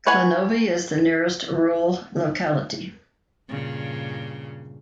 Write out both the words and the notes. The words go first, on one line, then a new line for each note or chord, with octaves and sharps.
Klinovy is the nearest rural locality.
B4 C#5 F#5 G#5
G2 A#2 C#3